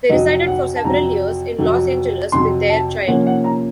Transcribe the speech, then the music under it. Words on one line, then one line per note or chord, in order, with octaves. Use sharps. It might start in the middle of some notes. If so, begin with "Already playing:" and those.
They resided for several years in Los Angeles with their child.
F2 C3 F#3 D#5
F#5
A5
F2 C3 F#3 A#5
F2 C3 F#3
F2 C3 F#3 C6
A5
C3 F3 A#3 C#4 F#5
F#5
A#5